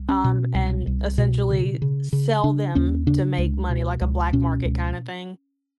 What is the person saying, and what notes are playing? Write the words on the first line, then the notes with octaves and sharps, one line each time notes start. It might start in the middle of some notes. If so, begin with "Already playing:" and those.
um, and essentially sell them to make money, like a black market kinda thing.
Already playing: C2
C#4
B2
C2
C2
B2
C#3
C#3
C#3
C#3 D4
D#2 C#4
C#3 D4
C#2
B2
C#2
B2 C#4
C#2